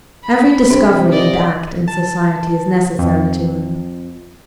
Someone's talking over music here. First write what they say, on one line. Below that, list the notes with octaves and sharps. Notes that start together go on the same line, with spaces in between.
Every discovery and act in society is necessary to him.
B5
C3 D4 C5
D5 D#5
A5
F2